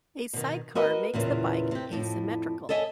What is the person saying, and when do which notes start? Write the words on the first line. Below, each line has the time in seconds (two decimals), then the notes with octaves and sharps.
A sidecar makes the bike asymmetrical.
0.33 B2 D#3
0.75 F#4 A#4 B4 D#5
1.14 E2 A#2 C#3 E3
1.71 C3 G4
1.91 F2 A2
2.69 A4 C#5 D#5 E5 G#5